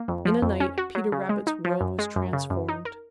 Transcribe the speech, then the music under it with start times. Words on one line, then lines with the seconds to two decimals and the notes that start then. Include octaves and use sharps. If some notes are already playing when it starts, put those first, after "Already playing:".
In a night Peter Rabbit's world was transformed.
Already playing: A#3
0.08 F2
0.25 F3
0.42 F2
0.60 C#4
0.78 F#4
0.95 F#3
1.12 C#3
1.29 G#3
1.47 D#4
1.65 F3
1.81 F#2
1.99 G#3
2.16 F#2
2.33 C#3
2.50 F#2
2.69 D#4
2.85 A#4